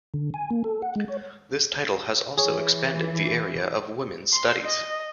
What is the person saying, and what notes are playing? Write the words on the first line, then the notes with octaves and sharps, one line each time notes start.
This title has also expanded the area of women's studies.
D3
G#5
A#3
A4
F#5
G#3
C#5
E3 G#4 C#5
C6
D#5